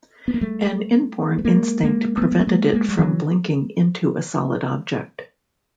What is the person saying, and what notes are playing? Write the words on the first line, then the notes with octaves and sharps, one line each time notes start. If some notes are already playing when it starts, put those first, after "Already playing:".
An inborn instinct prevented it from blinking into a solid object.
B3
A#3
G3 A3
A3
G#3 A#3
G#3 A#3
A#3
A3 B3
G#3
A3
G#3 A#3
G#3 A#3
G3
E3 F#3